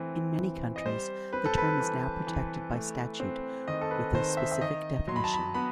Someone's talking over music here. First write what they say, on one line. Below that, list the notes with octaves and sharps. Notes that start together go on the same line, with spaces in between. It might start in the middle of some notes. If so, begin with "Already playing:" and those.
In many countries the term is now protected by statute, with a specific definition.
Already playing: E3 A3 C4
E3
D#5
G3 C5
C4 B4
A4
B4
E3
E3
A3
C4
D#3 D#5
A4
B4
D#3 C5
E5
E5
D#3 D#5
F#3 C6
B5
A5
B5
B3 B5